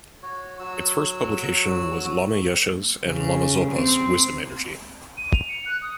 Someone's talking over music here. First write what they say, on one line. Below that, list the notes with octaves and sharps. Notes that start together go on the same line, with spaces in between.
Its first publication was Lama Yeshe's and Lama Zopa's Wisdom Energy.
F#4 C#5
F#3 F#4 E6
C#3
C4
D#7
F7
C#7
F#6
D#6